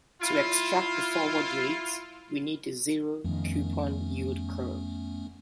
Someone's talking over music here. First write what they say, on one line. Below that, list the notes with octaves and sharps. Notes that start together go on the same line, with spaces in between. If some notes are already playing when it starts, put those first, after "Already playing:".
To extract the forward rate, we need the zero-coupon yield curve.
E4 F4
F2 D#3 A3 B3 C#4